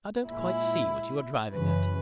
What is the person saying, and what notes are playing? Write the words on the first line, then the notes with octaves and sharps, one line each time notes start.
"I don't quite see what you are driving at."
A#2 G#3 E4
F#2 C#3 E3 B4